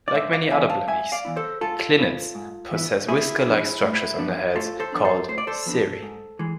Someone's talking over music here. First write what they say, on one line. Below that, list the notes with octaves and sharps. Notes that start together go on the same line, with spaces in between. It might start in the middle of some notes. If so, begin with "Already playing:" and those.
Like many other blennies, clinids possess whisker-like structures on their heads called cirri.
D5
G#2 C5 E5
D5 F5
E3 B3 E4 E5 G#5
F5 A5
G#2 E5 G#5
D5 F5
E3 B3 E4
A4 C5
G#2 F4 A4
E3 B3 E4
G#2
E3 B3 E4
A2 E4 G#4
F3 B3 D4
A2
F3 B3 D4
A2 F4 A4
A4 C5
F3 B3 D4
A4 C5
A2 C5
D5
A4 C5
F3 B3 D4
G#2
E3 G#3